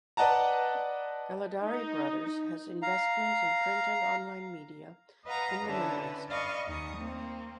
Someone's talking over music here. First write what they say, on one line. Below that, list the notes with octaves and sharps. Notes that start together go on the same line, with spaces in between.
Galadari Brothers has investments in print and online media in the Middle East.
B4 D5 D#5 F#5 A5 A#5
D#4
F5 A#5
B4 D#5 F5 F#5 A#5
D3 C#4 D4 E4 B4
D5 D#5 F5 B5 C#6
D#2 D#3 C#6 D#6
A#3 C4